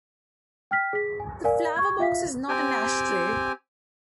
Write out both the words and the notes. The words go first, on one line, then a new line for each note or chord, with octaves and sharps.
The flower box is not an ashtray!
G5 F6 B6
G#4 B6
G#5
A#4 D5 F5 G#5
C#6 G#6
F4 E5 F5 B6
C4 G4 G#5